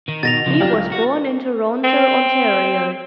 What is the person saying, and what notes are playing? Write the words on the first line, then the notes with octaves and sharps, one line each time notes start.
He was born in Toronto, Ontario.
D#3
B2 A6 A#6 F7
C#3 F3
F#3 D4 F4 G4
C#2
F#4
C4